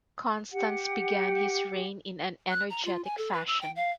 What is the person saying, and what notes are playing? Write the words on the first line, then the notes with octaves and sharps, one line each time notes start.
Constans began his reign in an energetic fashion.
G4 F#5
F#6
A#5
F4
G#5
A4
B4
E6
G5
F5